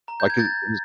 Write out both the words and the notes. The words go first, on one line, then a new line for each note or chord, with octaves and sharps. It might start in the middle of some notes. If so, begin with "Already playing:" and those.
like, his his
A#5
G6
G#6
G6 A6